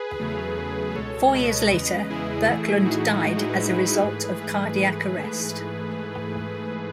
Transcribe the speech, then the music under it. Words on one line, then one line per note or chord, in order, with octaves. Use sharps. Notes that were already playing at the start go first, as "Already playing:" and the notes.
Four years later, Birkelund died as a result of cardiac arrest.
Already playing: G#4 B4
E2 C#3 F#3 A3
E2 C#3 F#3 A3
C#2 B2 G#3 A4 C#5
C#2 B2 G#3 B4 D#5
E2 C#3 G#3
E2 C#3 G#3 E4 G#4
A2 E3 A3
A2 E3 A3 D#4 F#4
A2 G#3 D#4 F#4
E4 G#4
G#4 B4
A2 G#3
G#2 E3 A3
G#2 E3 A3 G#4 B4